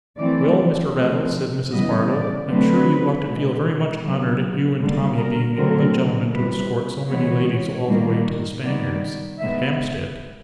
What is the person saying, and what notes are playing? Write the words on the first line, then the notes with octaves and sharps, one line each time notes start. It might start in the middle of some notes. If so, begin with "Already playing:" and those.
'Well, Mr. Raddle,' said Mrs. Bardell; 'I'm sure you ought to feel very much honoured at you and Tommy being the only gentlemen to escort so many ladies all the way to the Spaniards, at Hampstead.
E3 A3 C4 D5
C3 F3 A3 C4
C#3 E3 G3 B3 D#5
D5
D3 F#3 A3 C4 B4
B2 G#3 B3
D3 F#3 B3
D3 G3 A#3
A#4
D3 F#3 A3 C4 A#4
C3 E3 G3 B4
E3 G#3 B3 C#5
D#3 G3 A#3
D#3 G3 B3 D5
D#3 G#3 B3 E5